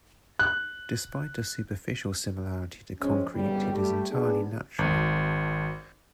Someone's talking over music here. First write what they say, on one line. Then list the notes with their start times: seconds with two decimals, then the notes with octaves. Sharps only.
Despite a superficial similarity to concrete it is entirely natural.
0.39 F#6
3.00 F3 G#3 C4 C#4
3.34 G1 E2 G#2 C#3 G3
3.72 G3 A3 G4
4.10 B3 D4 G#4
4.79 G#1